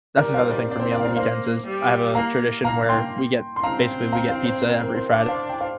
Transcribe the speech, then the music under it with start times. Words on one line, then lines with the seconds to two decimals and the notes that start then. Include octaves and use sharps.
That's another thing for me on the weekends is I have a tradition where we get basically we get pizza every Friday,
0.18 G3 A#4 D5
0.34 C5 F5
0.50 A#4 D5
0.66 C4 D5
0.80 C5
0.92 A#4 D5
0.99 F5
1.04 A#4 D5
1.16 A#3 C5 F5
1.66 G3
2.15 A#3 F5 A#5
2.64 A#3 F5 A#5
2.89 G5 C6
3.56 C6
3.63 C4 F5 A#5
4.12 F5 A#5
4.29 C5 F5
4.46 C5
4.62 A#4
4.78 A#4
4.95 C5
5.11 D4 F5
5.20 D5
5.28 C5 F5
5.49 G5
5.60 C5 F5